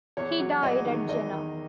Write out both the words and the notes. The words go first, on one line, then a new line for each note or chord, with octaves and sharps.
He died at Jena.
E2 C#5
F#3
E2 D#5
D#3
E2 D#5
D#3